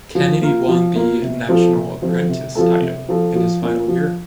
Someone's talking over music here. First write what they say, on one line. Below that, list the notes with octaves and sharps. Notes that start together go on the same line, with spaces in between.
Kennedy won the National Apprentice title in his final year.
F3
A#3 F4 A#4
F3
A#3 F4 A#4
C3
F3 C4 F4 A4
C3
F3 C4 F4 A4
C3
F3 C4 F4 A4
C3
F3 C4 F4 A4
F3
A#3 C#4 F4 A#4
F3